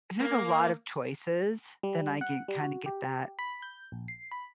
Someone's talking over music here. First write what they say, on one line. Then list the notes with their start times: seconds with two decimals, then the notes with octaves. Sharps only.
if there's a lot of choices, then I get kinda get that
0.20 A#3
1.83 G3
2.21 F#5
2.48 G3
2.60 F#4
2.86 G4
3.39 B5
3.62 G6
3.92 A#1
4.08 C7
4.31 B5